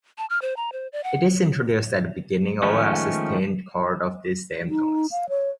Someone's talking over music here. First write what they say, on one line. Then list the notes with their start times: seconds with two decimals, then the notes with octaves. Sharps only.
It is introduced at the beginning over a sustained chord of these same notes.
0.18 A5
0.30 F6
0.42 C5
0.57 A#5
0.72 C5
0.93 D5
1.04 F#5
2.63 D#3 F3 G#3 A3 C#4
4.70 D#4
5.11 F5
5.29 C#5